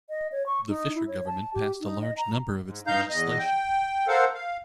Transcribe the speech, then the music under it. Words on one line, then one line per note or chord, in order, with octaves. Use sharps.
The Fisher government passed a large number of its legislation.
D#5
C#5
C#6
D#4
E4
C#5
A5
G4
D#4
D#5
A#5
G#2
G2 D#4 F5 A#5 G6
E2 D#5
G5
A4 A#4 C5 F5 F#5
F5